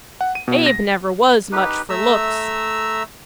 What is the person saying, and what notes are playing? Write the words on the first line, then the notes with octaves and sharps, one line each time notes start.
Abe never was much fur looks.
F#5
D#7
B2
A#6
D#4 G4 B4
A3 E5 A#5 E6